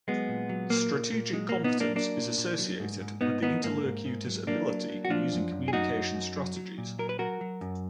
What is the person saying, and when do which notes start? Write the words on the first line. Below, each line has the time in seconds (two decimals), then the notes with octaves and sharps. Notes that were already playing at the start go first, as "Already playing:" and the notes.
Strategic competence is associated with the interlocutors' ability in using communication strategies.
0.08 F#3 G#3 B3
0.28 A#2
0.49 F#3
0.70 A#2 A#3
0.92 A#2
1.12 A#2
1.33 F#3 G#3
1.49 A#2 A#3
1.64 B3 D#4
1.74 A#2
1.80 A#3 D4
1.95 F#3 A#3 D4
2.17 A#2
2.38 A#2
2.58 F#3
2.80 G#2
3.01 G#2
3.21 G#2 B3 D#4
3.43 D#3 B3 D#4
3.63 G#2 A#3
3.84 G#2
4.05 G#2
4.26 F#3
4.47 F#3 A#3 D4
4.69 F#3
4.89 F#3
5.05 F#4
5.10 F3 D4 F4
5.32 F#2
5.51 F#2
5.68 G#4
5.72 F#2 D#4 F#4
5.94 F#2
6.15 F#2
6.36 F#3
6.56 F#3
6.78 A#2
6.99 F#3 A#4
7.09 B4
7.19 F#3 F#4 A#4
7.41 F#3
7.61 F#2